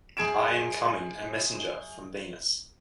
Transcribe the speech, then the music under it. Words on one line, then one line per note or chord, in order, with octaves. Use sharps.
I am coming, a messenger from Venus...
F#2 G#4 G#6 D7 E7